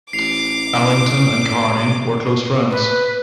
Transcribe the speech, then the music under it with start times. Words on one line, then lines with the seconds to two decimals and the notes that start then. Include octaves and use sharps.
Ellington and Carney were close friends.
0.13 A1 D6 C7 F7
2.71 B4